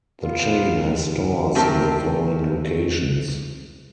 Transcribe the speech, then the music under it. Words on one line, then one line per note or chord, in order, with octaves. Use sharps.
The chain has stores in the following locations.
A#3 B3 F4
A3 C4 G4 A#4